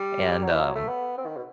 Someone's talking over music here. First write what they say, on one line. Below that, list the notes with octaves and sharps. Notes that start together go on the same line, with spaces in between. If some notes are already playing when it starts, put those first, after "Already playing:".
and, um
Already playing: G3
G3
F#3
E3
F#3
A3
B3
C4
D#3
B2